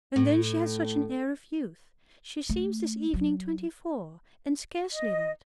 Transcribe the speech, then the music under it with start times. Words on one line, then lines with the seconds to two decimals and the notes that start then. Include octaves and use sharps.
And then she has such an air of youth; she seems this evening twenty-four, and scarcely that.
0.16 A2
2.49 A3
3.14 F#3
4.92 D#5